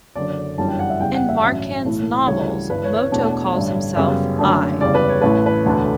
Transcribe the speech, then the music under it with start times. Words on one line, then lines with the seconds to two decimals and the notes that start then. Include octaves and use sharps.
In Marquand's novels, Moto calls himself I.
0.16 F#1 F#2 D3 D5
0.58 G1 F#2 E3 G3 D4 A5
0.69 G5
0.79 F#5
0.90 E5
1.00 E2 C#3 G3 G5
1.14 F#5
1.29 E5
1.42 A1 G2 F#3 C#4
1.84 B1 A2 E3 A3
2.27 D2 C#3 E3 G3 C#5
2.70 G1 G2 E3 B4
2.84 C#5
2.98 C#5
3.12 E2 B2 A3 D4 C#5
3.54 A1 G2 D3 G3
3.96 F#2 C#3 G3 B3
4.38 F#1 F#2 D3 A3 D4
4.81 F#1 E2 C#3 G3 D5
4.95 B4
5.09 C#5
5.22 A1 A2 E3 A3 C#4 B4
5.46 B4
5.66 E1 D2 D3 A3 D4